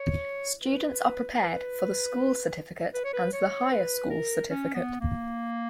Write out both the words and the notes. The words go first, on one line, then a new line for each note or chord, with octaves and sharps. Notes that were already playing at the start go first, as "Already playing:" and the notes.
Students are prepared for the School Certificate and the Higher School Certificate.
Already playing: C#5
B4
B4
B4
C#5
B4
C#5
B4
A#4
C#4
B3
A#3